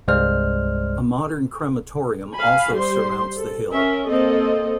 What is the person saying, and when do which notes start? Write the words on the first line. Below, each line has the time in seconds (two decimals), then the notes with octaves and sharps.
A modern crematorium also surmounts the hill.
0.08 C2 G2 G#3 C5 D5 F6
2.33 F5 G#5 B5
2.73 G3 C5 C6
3.37 A4
3.72 C#4 A#4 E5
4.07 A#3 C4 A4 D#5